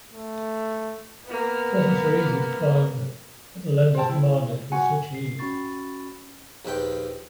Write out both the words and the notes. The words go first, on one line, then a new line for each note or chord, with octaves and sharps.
It wasn’t so easy to find what the lenders demanded with such ease.
A3
A#3 B3
C5 D5 G5 A5
E4
F#4 F#5 G#5
C7
C#4 F#4 B5 C#6 A6
A#1 D#2 B4 G5